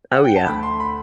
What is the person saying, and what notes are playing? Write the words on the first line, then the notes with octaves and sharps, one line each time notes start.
Oh, yeah.
F#5
G5
A5
D2 D3 A3 B5
C6
B5